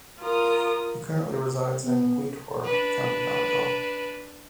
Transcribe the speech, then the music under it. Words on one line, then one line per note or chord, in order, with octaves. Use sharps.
He currently resides in Gweedore, County Donegal.
F4 A#4 D#6
B3
D4 B4